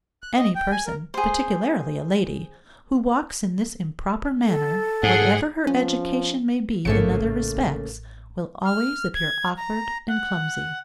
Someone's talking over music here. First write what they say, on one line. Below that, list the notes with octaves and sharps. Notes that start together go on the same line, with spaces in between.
Any person, particularly a lady, who walks in this improper manner, whatever her education may be in other respects, will always appear awkward and clumsy.
F#6
D#5
G5
G#5
A#4
G#4 C5
A4
G#2 G#4 F#5
F3 C#4
A1 G#2 C#3 A3 A#3 C#7
F6
G#6
A#5
F#5